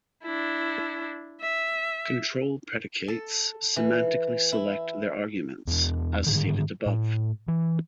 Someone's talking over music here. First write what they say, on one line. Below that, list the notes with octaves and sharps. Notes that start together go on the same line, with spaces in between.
Control predicates semantically select their arguments, as stated above.
D4 E4
E5
A4
E3
E4
E2 D4
G#2 D3 D#3
A2
E3